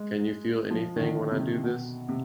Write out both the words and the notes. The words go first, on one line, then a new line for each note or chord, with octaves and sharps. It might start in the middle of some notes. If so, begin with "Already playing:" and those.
Can You Feel Anything When I Do This?
Already playing: G#3
F3
D#3
D3
C3
B2
C3